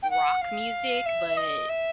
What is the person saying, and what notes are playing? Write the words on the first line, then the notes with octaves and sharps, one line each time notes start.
rock music, but,
G5
F#5
F5
E5
D#5
E5